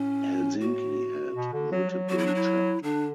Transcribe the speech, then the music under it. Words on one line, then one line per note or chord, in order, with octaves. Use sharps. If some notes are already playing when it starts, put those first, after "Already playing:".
Helsinki had multiple chapter.
Already playing: A2 C#4
F#4
B2
D3
F#3
F#3
F#3 F#4
E4
D4
E4
D3 D4